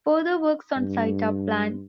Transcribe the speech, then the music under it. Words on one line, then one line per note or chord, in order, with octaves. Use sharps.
Further works on site are planned.
G2